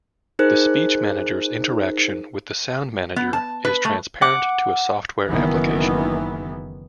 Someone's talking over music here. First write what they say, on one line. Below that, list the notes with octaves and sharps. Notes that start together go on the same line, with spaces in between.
The Speech Manager's interaction with the Sound Manager is transparent to a software application.
D#4 G#4 A#4 C5 F#6
B3
A5
B4
A3
F#5 D6
F#1 D#3 E3 B3